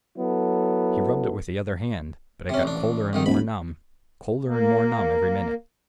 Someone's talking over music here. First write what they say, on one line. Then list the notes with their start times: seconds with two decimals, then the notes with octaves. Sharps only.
He rubbed it with the other hand; but it got colder and more numb, colder and more numb, every minute.
0.18 F#3 B3 E4 A4
2.49 C3 C#4
2.63 A1 D4
3.13 F2 G#2 D#3
3.26 D#1 B5
4.47 A#3